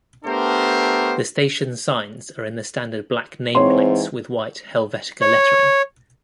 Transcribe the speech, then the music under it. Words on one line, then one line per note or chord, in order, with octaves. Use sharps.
The station's signs are in the standard black name plates with white Helvetica lettering.
A3 B3 D4 G4 A#4 C5
G#2 E3 C4 C#5 C6
C#5